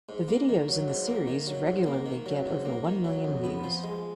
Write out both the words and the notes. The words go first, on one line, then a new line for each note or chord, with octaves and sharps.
The videos in the series regularly get over one million views.
G#2
A#3
D#3
F#3
G#2
A#3
D#3
F#3
G#2
A#3
D#3
F#3
G#2
A#3
D#3
F#3
F2
B3
F3
G#3